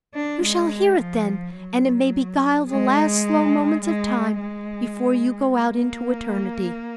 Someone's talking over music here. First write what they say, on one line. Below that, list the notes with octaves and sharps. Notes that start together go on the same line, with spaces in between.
"You shall hear it, then, and it may beguile the last slow moments of time before you go out into eternity."
D4
G#3
F3
F#3
G#3
G#3
G#3
A#3